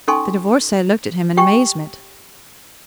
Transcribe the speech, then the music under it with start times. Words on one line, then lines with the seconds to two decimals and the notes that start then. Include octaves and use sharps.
The Divorcee looked at him in amazement.
0.08 C#4 D#4 A4 G#5 C6 C#6
1.37 G4 G5 G#5 C#6